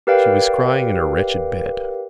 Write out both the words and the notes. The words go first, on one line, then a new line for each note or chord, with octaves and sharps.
She was crying in her wretched bed.
G4 A#4 B4 D5 F5 G5